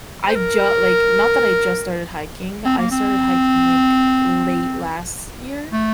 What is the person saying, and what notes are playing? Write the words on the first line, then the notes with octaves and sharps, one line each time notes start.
I ju like, not that I just started hiking, I started hiking like, late last year,
C5
A#4
C4
A#3
C4
A3